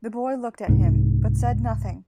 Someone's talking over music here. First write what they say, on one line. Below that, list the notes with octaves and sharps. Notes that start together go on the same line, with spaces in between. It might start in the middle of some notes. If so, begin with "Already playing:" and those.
The boy looked at him, but said nothing.
C2 G#2